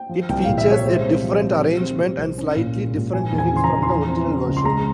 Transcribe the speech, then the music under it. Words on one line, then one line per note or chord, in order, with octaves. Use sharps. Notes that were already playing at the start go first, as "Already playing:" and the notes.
It features a different arrangement and slightly different lyrics from the original version.
Already playing: G5
F3
C2 G5
A#2 F5
E5
C2 C#5
G#3 C5
C4
F3
C3
F3
C4
C3
C2
C#4
A#2
G#3
A#2
F3 G#5
E2
G#5
C#3 C6
A#5
E2
C6
F3 A#5
C4
C#3
C#2
C6
G#3 A#5